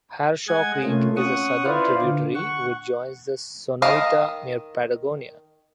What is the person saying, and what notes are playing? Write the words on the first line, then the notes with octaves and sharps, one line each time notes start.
Harshaw Creek is a southern tributary which joins the Sonoita near Patagonia.
G#3 D#5 F#5 G#5 G#6
C3 A3 A#3 C#4 F4
C#4 F#5 C#6 D#6
E4 F4 B4 C5 D5 F5
D3
F#5 C#6
D#3 D#5 F5